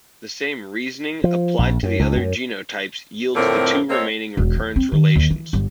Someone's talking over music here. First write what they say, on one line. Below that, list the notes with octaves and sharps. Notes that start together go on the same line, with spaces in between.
The same reasoning, applied to the other genotypes yields the two remaining recurrence relations.
F3
A#1
F#2
C#2
F#2
F2 A2 D3 C4 A#4
A#3 C4 A4 C#5 D#5
E1
E2
C4
D#3
D#2
E3
G1